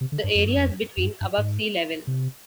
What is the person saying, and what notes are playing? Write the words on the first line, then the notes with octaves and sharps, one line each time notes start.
The area is between above sea level.
C3
D3
G2
F2
G2
F2
F2
G2
G2
G#2
C3